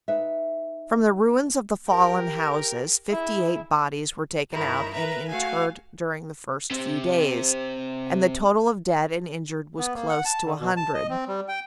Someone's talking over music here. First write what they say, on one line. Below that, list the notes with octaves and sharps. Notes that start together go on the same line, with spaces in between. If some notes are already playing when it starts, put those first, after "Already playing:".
From the ruins of the fallen houses fifty-eight bodies were taken out and interred during the first few days, and the total of dead and injured was close to a hundred.
D#4 B4 E5
G4 A#4
E4 G#4
G2 D#3 E4 A#5
A#4 B4 E5 A#5
A3 F#4 F5 G#5
C3 C4
B3
A#3
F#5
A5
D3
B2
A5
D#5
C4
G3
G5